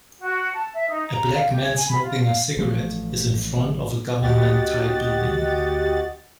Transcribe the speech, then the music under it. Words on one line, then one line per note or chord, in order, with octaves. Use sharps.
A black man smoking a cigarette is in front of a government type building.
F#4
A5
E5
D#4
A#5
F5
G4
G#6
G#5
B5
F4
F5
A1 F3 A3
D2 F#4 G4 D#5 F#5 A6